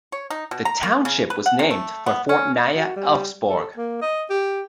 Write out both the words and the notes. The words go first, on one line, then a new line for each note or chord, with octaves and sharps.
The township was named for Fort Nya Elfsborg.
C#5
D#4
B2
A#5
A#3
C#3
B4
F#5
C3
A3
B3
C#4
F#4
G3
A4
A#3
D#5
G4